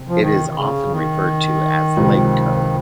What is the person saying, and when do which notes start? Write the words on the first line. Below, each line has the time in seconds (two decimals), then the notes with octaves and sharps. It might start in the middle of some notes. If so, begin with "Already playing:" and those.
It is often referred to as "LegCo".
Already playing: C3
0.08 F3
0.20 D#3
0.49 D#3
0.55 C#3
0.91 D#3
1.97 C#2 C3 F3